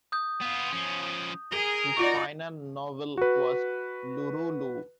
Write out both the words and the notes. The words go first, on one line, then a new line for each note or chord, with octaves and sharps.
His final novel was "Lurulu".
D#6 G6
B3 F4
F3 C#4
G#4 A#4 G7
D#4 F4 F#4 D5 C#6
F#4 B4